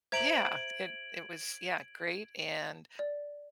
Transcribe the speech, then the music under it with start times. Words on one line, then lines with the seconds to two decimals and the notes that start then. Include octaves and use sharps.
Yeah, it it was yeah, great, and
0.12 C5 E5 A#5 G#6 D7 F#7
2.99 D5